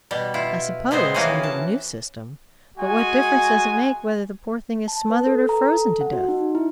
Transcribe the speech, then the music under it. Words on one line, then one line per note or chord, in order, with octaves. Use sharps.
I suppose, under the new system, but what difference does it make whether the poor thing is smothered or frozen to death?
B2 G3
E4 F4
A#2 G#3 B3 C4 C5
C3 E3 A#3 C#4 F#4 G#4
A5
G#3 F#4 G#5
A5
B4
A4
A#5
A4
F#5
F#4
D#4
E4